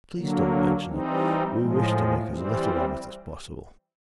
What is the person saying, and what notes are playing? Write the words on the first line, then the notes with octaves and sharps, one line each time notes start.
"Please don't mention it; we wish to make as little of it as possible."
D3 F#3 A#3
E3 G3 C4 D#4
A2 F3 G#3
E3 G3 C4